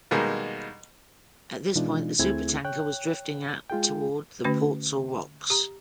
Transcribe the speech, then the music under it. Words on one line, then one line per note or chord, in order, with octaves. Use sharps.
At this point the supertanker was drifting at toward the Portsall Rocks.
B2 D#3 G3 G#3 A#3
B2 E3 G#3 D4 D#4 F4
D2 A3 C4 E4 G#4 G#6
C#5 G5 F#6
G#3 F4 G#4 G5
D3 A3 C#4 F#4 B4
G4 A#5